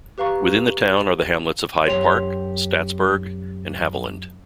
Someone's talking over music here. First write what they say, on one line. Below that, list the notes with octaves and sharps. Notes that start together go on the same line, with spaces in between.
Within the town are the hamlets of Hyde Park, Staatsburg, and Haviland.
G4 B4 F5 A#5 C#6
F#2 G4 C#5 C6 F7